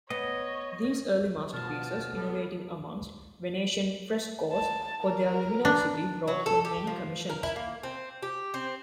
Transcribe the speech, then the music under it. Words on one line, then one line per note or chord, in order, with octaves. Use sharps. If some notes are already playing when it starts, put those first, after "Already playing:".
These early masterpieces, innovative amongst Venetian frescoes for their luminosity, brought him many commissions.
B3 C#5 D#5
B2 F3 A5 F6
G3 B3 A4
A5
A#4
D4
F#3
A4
G4
F3
A#4
E4
A#3
C4
G4
C4